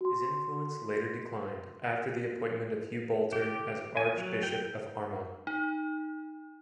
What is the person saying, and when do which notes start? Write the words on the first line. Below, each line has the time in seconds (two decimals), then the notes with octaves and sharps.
His influence later declined after the appointment of Hugh Boulter as Archbishop of Armagh.
0.01 F#4 C6
3.33 G4
3.97 G#5
4.17 F#3
4.43 G5
5.47 D#4